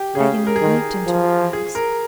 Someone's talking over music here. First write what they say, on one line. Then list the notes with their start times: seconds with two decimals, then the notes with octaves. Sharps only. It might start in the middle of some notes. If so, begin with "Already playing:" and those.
Agony leaped into her eyes.
Already playing: G4
0.15 C#3 G#4
0.47 A#4
0.56 G#4
0.61 D#3 A#4
1.07 F3
1.53 G#4
1.75 A#4